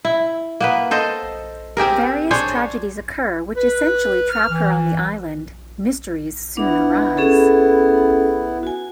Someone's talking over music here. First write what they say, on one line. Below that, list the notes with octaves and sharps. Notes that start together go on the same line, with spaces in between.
Various tragedies occur which essentially trap her on the island - mysteries soon arise.
E4
A#3 B3 B4
A4 C5 D#5
C4 G4 G#4 A#4
D4 G#4 C5 C#5
B4
F6
E3
B3 D4 E4
C#4 G#4 A4
F#4 G#5